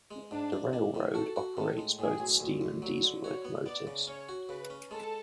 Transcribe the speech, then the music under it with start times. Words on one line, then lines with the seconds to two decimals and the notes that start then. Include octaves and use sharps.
The railroad operates both steam and diesel locomotives.
0.11 G#3
0.31 G#2 D4
0.52 D4
0.73 D4
0.95 A2
1.15 F#4 A4
1.36 F#4
1.57 A2 A4
1.78 G#3
1.99 A2 G#4
2.20 B1
2.40 D2
2.61 D2
2.82 F#3
3.03 D3
3.24 F#4 C#5
3.45 B3
3.66 B3 D5
3.87 C#3
4.08 C#4 C#5
4.29 F#4
4.49 C#3 B4
4.70 C#4
4.91 G#3 A4